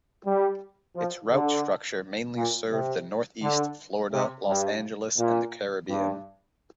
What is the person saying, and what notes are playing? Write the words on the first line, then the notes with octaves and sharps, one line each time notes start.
Its route structure mainly served the Northeast, Florida, Los Angeles and the Caribbean.
G3
F3
D3
A#2
C3
D3
C3
G2
A#2
G2